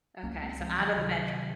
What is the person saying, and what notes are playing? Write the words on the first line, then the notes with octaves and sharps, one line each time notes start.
Okay, so out of the bedroom?
C#2 A#3 C#4
A#3
G#3 C4
C#2 F3 G#3
D#3 F#3
C3 D#3 F#3
C3